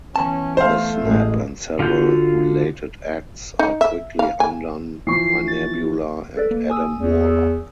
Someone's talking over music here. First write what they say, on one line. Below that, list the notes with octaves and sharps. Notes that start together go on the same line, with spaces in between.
The Snap and several related acts are quickly undone by Nebula and Adam Warlock.
E3 B3 C#4 A5
A3 C5 F5
A1 G#3
D3 F4 F#4 G6
D#4
E5
F5
G#5
E3 F3 C#6 C7
A6
A4 B4 D5
A#3
G#5 D#6 E6
E2